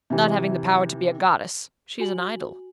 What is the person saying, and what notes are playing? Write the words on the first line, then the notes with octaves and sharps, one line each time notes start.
Not having the power to be a goddess, she is an idol.
C3 E3
F#4 G#5 F#7